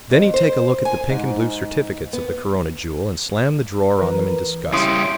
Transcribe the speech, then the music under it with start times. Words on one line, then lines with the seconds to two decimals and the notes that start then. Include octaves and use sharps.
Then he'd take a look at the pink and blue certificates of the Corona Jewel and slam the drawer on them in disgust.
0.11 F2
0.34 C5
0.85 G#5
1.09 G#2
2.13 B3
3.99 E3 A#4 B4
4.73 C#3 G3 E4 E5 C6 D#6 D7